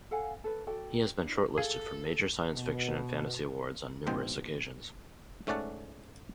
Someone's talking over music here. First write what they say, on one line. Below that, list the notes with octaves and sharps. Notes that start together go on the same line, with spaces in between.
He has been shortlisted for major science fiction and fantasy awards on numerous occasions.
A4 F5 F#5 G#5
A4 B4
F#4 A4 D5 G5
D4 E4
G#4 A4 F5
B2
A#1 G#2 B2 C5 G5
G#2 A3 C#4 D5 F#5 A5